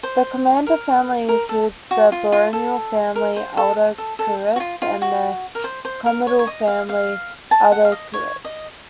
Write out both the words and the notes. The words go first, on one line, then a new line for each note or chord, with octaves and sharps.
The commander family includes the baronial family Adlercreutz and the comital family Adlercreutz.
C5
A#4
A#4
A4
F#4
F4
F4
A4
A#4
C5
A4
A4
A4
F#4
F4
F4
F#4
A#4
C5
C5
A#4
C#5
C#5
D#5
F5
F5
A5
F#5
F5
D#5
C#5
D#5